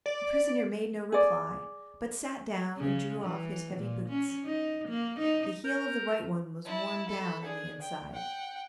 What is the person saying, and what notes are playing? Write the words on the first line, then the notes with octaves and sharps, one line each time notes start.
The prisoner made no reply, but sat down and drew off his heavy boots. The heel of the right one was worn down on the inside.
D5
G#4 D5
C#3
E3
A#2
C#4
D#4
A#3
D#4
A#4 G6
E4 A5
A4 B5
D4 G#4
G5
F#5 G5